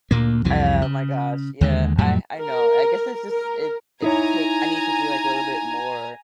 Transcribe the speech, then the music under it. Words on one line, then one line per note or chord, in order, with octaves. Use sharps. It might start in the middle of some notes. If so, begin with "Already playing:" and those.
Oh my gosh, yeah, I I know, I guess it's just, it it's t I need to be like a little bit more
D2 A#2 A#3
C2 F2 E3 G3
C#3
D#2 D3 G#3
F2 A2 F#3 G3
A#4
A#4
D#4 E4 C#5 G#5 A#5